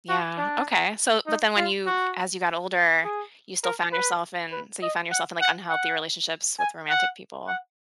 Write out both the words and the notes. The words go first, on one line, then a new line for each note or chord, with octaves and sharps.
Yeah, okay, so but then when you as you got older, you still found yourself in so you found yourself in, like, unhealthy relationships with romantic people
F#4
D4
D#4
F4
F#4
G#4
A#4
B4
B4
D#5
F#5
F#5
F#5
G#5
F#5
F#5